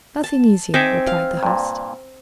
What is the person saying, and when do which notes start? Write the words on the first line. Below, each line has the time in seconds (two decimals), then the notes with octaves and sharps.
"Nothing easier," replied the host.
0.24 A5
0.74 C4 D#4 G#4 E5 G#5 D6
1.07 F5
1.43 G2 A#2